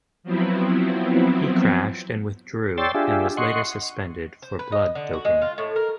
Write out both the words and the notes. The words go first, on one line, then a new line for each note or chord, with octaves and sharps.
He crashed and withdrew and was later suspended for blood doping.
F3 F#3 B3 C4 E4
C#5 D5 G5 C6 E6 A6
D4 F4 G4 G#4 E5
D#5 F#5 C6 C#6
C5
B4
D#5
D3
F#4
G#3
F4
A2
A#4